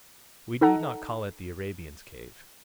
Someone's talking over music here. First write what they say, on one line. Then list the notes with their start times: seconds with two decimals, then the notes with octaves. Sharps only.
We need not call it the Arabian's cave.
0.61 D#4 A4 F#5 A#5